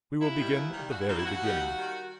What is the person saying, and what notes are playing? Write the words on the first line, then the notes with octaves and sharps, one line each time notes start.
We will begin at the very beginning.
D#2 E4
D#3 G3
D#2
D#3 G3
D#2 F#4
E4
D#3 G3 C4
E4
D#2 F#4
D#3 G3
D#2
D#3 G3